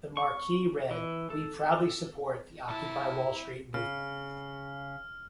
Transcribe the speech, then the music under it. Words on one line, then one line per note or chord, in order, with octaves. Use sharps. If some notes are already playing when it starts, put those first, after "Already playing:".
The marquee read We proudly support the Occupy Wall Street Movement.
C#6
E3
A4
C3 E4 A5
C#3 F6